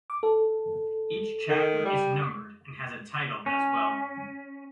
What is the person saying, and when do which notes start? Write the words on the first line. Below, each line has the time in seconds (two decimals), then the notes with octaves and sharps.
Each chapter is numbered and has a title as well.
0.10 D6
0.23 A4
1.49 D#3
1.85 G3
3.46 C#4